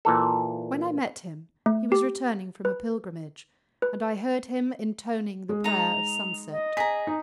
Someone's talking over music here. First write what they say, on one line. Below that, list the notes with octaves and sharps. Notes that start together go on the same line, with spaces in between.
When I met him he was returning from a pilgrimage, and I heard him intoning the prayer of sunset.
A#2 E3 A4
A3
G4
B4
B4
G#3
D#4 A#5 F7
D#5
G#4 A#5 B6
D#4